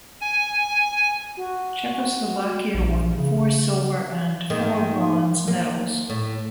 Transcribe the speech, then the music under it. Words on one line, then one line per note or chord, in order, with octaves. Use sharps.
Czechoslovakia won four silver and four bronze medals.
G#5
F#4
A#1
C#3
G#2 D#3 A#3
A#3
A2